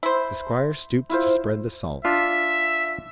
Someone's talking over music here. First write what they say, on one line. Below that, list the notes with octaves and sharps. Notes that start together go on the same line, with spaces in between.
The squire stooped to spread the salt.
E4 C5
E4 F4 C5
D4 F4 E5